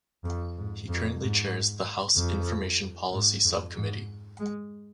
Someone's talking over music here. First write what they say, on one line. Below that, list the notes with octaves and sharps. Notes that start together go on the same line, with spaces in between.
He currently chairs the House Information Policy Subcommittee.
F2
G#2
F2
G#2
F2
G#2
F2
G#2
G#3